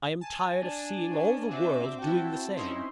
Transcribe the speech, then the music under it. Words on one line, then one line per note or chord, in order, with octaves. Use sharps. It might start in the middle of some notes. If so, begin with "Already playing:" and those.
I am tired of seeing all the world doing the same.
G#5 A5
D4
C#4 B4
C4 D4 F#4 E5 D6
E4 F#4 G5 A5
C#4 D#4 E4 C6